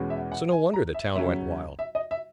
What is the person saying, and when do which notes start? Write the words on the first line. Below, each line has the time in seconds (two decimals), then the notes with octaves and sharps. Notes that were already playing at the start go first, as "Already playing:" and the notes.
So no wonder the town went wild!
Already playing: E2 B2 G#3 C#4
0.10 E5
0.32 F#5
0.52 G#5
0.73 A#5
0.94 E5
1.15 F#2 C#3 F#3 C#4 E5
1.79 E5
1.95 D#5
2.11 E5